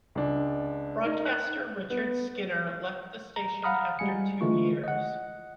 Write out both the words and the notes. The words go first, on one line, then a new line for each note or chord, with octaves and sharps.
Broadcaster Richard Skinner left the station after two years.
C#2 D4
D#4 A#4
F#6
B3
A#5
F5 F#5 A#5 B5 D#6 F6
G3 G#3 G#5 C#7
D3 E3 G#3 A3 F4 C#6
D#5 F#5